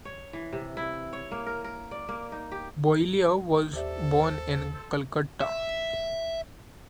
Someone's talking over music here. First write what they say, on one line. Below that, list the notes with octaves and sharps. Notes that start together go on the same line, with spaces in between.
Boileau was born in Calcutta.
C#5
E3
C3
E4
C#5
A#3
A#4
A#4
D5
A#3
D#4
G4
D#2 G4 A4 C5 D5 E5
E5